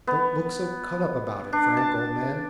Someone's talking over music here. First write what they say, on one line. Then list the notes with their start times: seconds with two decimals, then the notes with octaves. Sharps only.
Don't look so cut up about it, Frank, old man.
0.07 B3
1.53 D4
1.77 A5